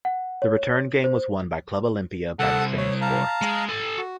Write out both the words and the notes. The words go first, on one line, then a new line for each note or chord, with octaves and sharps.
The return game was won by Club Olimpia by the same score.
F#5
C#5
C5
C2 A4 F#5 A5
C#5
F5 A5 A#5
G#3
A4 G#5
F#4